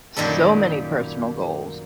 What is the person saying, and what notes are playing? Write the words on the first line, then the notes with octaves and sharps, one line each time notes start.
so many personal goals,
F#2 A#2 D#3 G3 A4